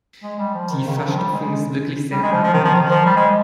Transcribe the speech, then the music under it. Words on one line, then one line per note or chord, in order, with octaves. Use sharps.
Die Verstopfung ist wirklich sehr hartnäckig.
G#3
G3
F3
D#3
C#3
D#3
F3
G3
G#3
G3
G#3
F3
F3
D#3
F3
D#3
F3
G3
G#3